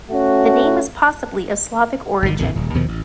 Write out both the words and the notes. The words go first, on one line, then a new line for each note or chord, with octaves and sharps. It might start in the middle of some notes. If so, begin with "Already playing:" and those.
The name is possibly of Slavic origin.
A3 C#4 F#4
G1 D#3
A#1 F2 D3
D#1
D#2 B2 D#3 F3
A1